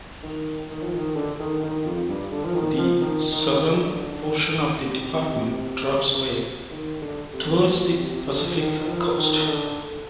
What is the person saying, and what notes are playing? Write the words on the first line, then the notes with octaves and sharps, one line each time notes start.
The southern portion of the department drops away towards the Pacific coast.
D#3
D#3
F3
D#3
D3
D#3
D#3
F2
G2
D3
F3
D#3
F3
D#3
D#3
D3
C3
D#3
D3
C3
A#2
C3
C3
D3
F3
D#3
D#3
F3
D#3
D#3
D3